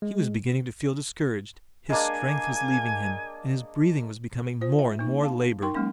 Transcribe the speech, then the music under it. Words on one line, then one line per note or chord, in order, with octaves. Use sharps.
He was beginning to feel discouraged, his strength was leaving him, and his breathing was becoming more and more labored.
G#3
G#3 A#3 D4 G#5
F4 C5
E5
A#3 D#4
F5 A5
D#4 A#4 G5 C6
F#3 G#3 A#3 C#4